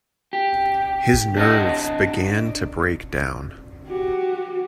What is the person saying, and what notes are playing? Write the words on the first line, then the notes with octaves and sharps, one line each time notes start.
His nerves began to break down.
G4
D4 D#5 F#5
F#4 G4